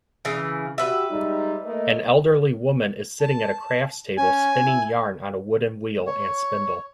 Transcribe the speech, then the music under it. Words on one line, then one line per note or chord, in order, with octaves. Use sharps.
An elderly woman is sitting at a crafts table spinning yarn on a wooden wheel and spindle.
C#3 E3
F#4 G4 B4 E5
G3 G#3 D#4
A3 A#3 D#5
A5
C#4 G#5
E4
C#5